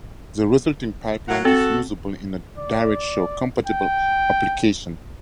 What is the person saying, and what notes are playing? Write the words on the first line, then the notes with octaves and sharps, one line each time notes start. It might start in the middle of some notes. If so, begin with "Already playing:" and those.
The resulting pipeline is usable in a DirectShow compatible application.
F#3 A#3 F#5
C4 F#4 A4
D5
G5